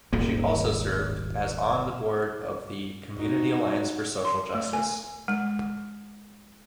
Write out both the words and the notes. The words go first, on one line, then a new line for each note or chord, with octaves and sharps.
She also served as on the board of the "Community Alliance for Social Justice".
D#1 G#1 A#2 A#3
D#4 F#4
C6
A3
G#5
G#3